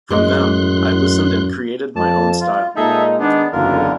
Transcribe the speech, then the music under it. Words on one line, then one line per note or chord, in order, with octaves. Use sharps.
From them, I listened and created my own style.
F#2 A2 G#3 C6 F#6
F2 A5
F4
A#2 G#3 D#4 G#4 A4 E5
D#3 B3 D4 D#4
F#1 B1 E2 D3 F4 A#4